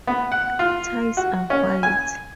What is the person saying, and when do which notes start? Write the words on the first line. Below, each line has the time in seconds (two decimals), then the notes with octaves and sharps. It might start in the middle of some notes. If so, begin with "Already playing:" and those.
Ties are white.
0.07 B3
0.32 F#5
0.59 F4
1.17 F#4
1.50 C#4
1.83 G#5